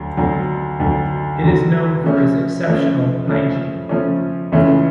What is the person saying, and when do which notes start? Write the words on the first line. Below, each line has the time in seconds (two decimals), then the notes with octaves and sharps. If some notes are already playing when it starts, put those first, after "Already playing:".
It is known for its exceptional hygiene.
Already playing: D2 D3 F#3
0.17 D2 D3 F#3
0.80 D2 D3 F#3
1.42 D2 D3 F#3
2.04 C#3 F3 A3 C#4
2.66 C#3 F3 A3 C#4
3.27 C#3 F3 A3 C#4
3.89 C#3 F3 A3 C#4
4.52 C#2 C#3 E3 A3 C#4